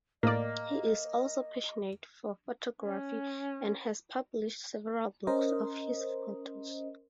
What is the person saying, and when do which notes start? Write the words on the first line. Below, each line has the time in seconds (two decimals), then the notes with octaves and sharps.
He is also passionate for photography and has published several books of his photos.
0.23 A2 A#3 D5 D#5
2.81 C#4
5.27 C#4 A#4 C5 D#5